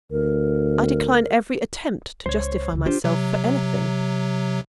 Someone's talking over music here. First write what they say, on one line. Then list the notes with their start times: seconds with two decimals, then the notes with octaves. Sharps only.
I decline every attempt to justify myself for anything.
0.11 D2 A#4
2.26 C#2 C5 C#5
2.73 D2 C#3
2.86 D4 F4 G4 C5
3.04 C3 F#3